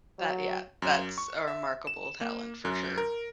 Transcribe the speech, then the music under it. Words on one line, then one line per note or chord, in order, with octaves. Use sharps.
That yeah, that's a remarkable talent for sure.
F#3
F#2
C#6
E5
E7
A#3
F#2
A#4